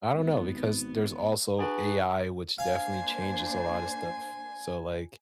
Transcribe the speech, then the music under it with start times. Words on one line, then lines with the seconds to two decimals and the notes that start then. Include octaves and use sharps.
I don't know, because there's also AI, which definitely changes a lot of stuff. So, like,
0.14 G#1 B3
1.59 D4 F#4 G#4 B4
2.58 A#3 D4 C5 F5 G#5